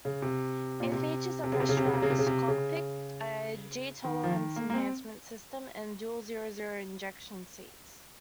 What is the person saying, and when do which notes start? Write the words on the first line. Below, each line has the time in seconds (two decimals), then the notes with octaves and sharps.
It features a pressurized cockpit, a G-tolerance enhancement system and dual zero-zero ejection seats.
0.05 C#3
0.22 C3
0.80 A#2
0.92 C3
1.44 C3
1.53 C#3
1.60 C3
1.69 C#3
1.77 C3
1.85 C#3
1.93 C3
2.02 C#3
2.10 C3
2.19 C#3
2.27 C3
2.48 C#3
4.04 D#3
4.24 F3
4.30 D#3
4.56 A#3
4.70 A#3
4.74 C4